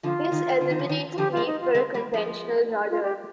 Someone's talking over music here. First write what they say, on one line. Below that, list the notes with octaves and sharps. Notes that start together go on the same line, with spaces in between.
This eliminates the need for a conventional rudder.
D3 F3 F4
D#3
D3
D#3
D3
F3
D#3
F4
D3 F3 G4
G#3 C4 F4
D#4
F4
G#3 C4
G3 A#3
F3 G#3
F4
G4